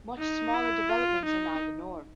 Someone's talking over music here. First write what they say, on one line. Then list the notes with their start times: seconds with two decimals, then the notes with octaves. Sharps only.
Much smaller developments are now the norm.
0.19 D#4
0.54 E4
0.90 F4
1.26 D#4